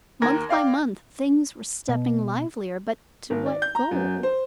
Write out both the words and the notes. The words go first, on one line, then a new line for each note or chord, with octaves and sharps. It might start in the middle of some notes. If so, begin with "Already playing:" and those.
Month by month things were stepping livelier, but to what goal?
D#2 A#4 G#6 A#6
D5 F5 G5 D6
B2
G#1
D5
G6
A#5
F#2
C5